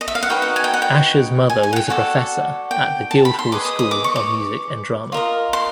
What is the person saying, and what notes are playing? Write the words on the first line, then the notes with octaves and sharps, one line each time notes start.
Asher's mother was a professor at the Guildhall School of Music and Drama.
D#5
E5
F5
F#5
D#4 F#4 B4 G5
F#5
G#5
G5
F#5
G5
G#5
G#5
F#5
G5
F#4 A4 D5 F#5
G5
A5
B5
C6
G#4 B4 D#5 D6
D#6
D#6
D6
C#6
D6
F4 A#4 D#5
C6